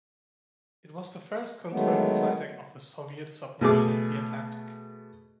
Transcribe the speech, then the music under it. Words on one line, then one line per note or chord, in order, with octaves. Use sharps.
It was the first confirmed sighting of a Soviet submarine in the Atlantic.
D#3 F#3 G#3 A3 B3
B2 A3 G#4 D6